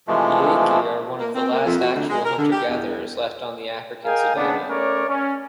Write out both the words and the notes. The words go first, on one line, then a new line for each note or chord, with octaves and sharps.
The Akie are one of the last actual hunter-gatherers left on the African savanna.
C3 E3 F3 G#3 A3
A#3
C4
A#3
F2
F#4
D2
G#3
A#4
D3
G4
E2
G#4 A#4 D#5 F5 G5 G#5
D#2 C#3 B3 D4
A3 C#4 A#4 C#5 D5
C#4